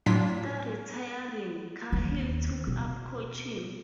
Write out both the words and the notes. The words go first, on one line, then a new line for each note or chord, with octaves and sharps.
After retiring, Cahill took up coaching.
A2 F#3 D4 F4 B6
D#2
B2